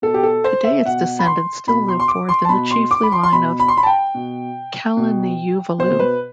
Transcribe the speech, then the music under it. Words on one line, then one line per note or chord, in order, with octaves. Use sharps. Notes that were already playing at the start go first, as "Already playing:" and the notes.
Today its descendants still live forth in the chiefly line of Kalaniuvalu.
B2 A4
G4
A4
C5
E5
B2 F#5
B5
C6
B2 B5
C6
C6
D6
C6
A5
B2 B5
C6
D6
B5
C6
C6
B2 B5
B5
C6
B5
A5
G5
B2
B2
B2 C5
B4